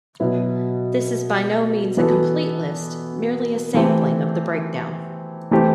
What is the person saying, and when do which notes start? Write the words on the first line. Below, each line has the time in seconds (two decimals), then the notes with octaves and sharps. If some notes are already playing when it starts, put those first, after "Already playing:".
This is by no means a complete list, merely a sampling of the breakdown.
0.20 B2 F#3 B3 E4
1.97 E3 B3 F#4 A4
3.74 E3 A3 C4 G4
5.51 E3 A3 C4 G4